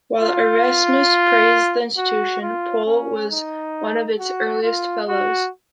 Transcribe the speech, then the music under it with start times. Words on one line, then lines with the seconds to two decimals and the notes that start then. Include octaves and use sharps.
While Erasmus praised the institution, Pole was one of its earliest fellows.
0.21 F4
1.98 F#4
2.42 F4
2.86 C#4
3.31 D#4
4.19 F#4
4.63 F4
5.08 F#4